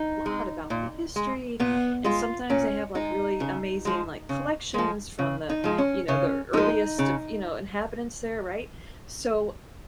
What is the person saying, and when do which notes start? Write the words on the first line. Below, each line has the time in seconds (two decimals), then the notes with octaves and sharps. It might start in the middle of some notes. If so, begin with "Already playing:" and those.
lot about the history, and sometimes they have, like, really amazing, like, collections from the you know, the earliest of, you know, inhabitants there, right? So
Already playing: D#4
0.26 G#3
0.70 A#2
1.16 G#3
1.60 A#2 B3
2.04 G#3 F4
2.50 A#2 C#4
2.95 G#3 D#4
3.40 C#3
3.85 F3 G#3
4.29 C#3
4.74 F3 G#3
5.19 C#3
5.50 D#4
5.64 F3 G#3
5.78 C#4
6.08 C#3 C#4
6.53 F3 G#3 D#4
6.98 C#3